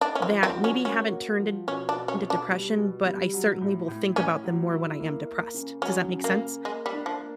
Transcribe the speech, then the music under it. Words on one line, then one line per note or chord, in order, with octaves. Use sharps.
that maybe haven't turned into depression, but I certainly will think about them more when I am depressed, does that make sense?
D4 D#4
C#4
C4
F3
C4
F#4
C#4
A#3 C#4
F#4
F3
B2 C#4
D4
B2
C#4
B2
D4
G3
B2
G3
F#3
A2
A2
A2 C#4
F#3
E4
A#3
A#3
C#3
F#3 C#4
C#3
A#3
A#3
G#3 A#3
G3
D4
F3
A#3